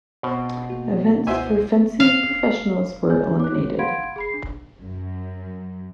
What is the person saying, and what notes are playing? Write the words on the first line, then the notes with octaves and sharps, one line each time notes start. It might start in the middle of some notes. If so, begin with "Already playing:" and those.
Events for fencing professionals were eliminated.
B2 C4
A#3 F#4
C#2 E4 F#4 C5 D#5 E5 G#5
F5
E4 C#5 G#5 G6
D6 F#6
F#4 C#5
F5 F#5 B5 C6 G#6 D7
G#4 B5 C7
D4
F#2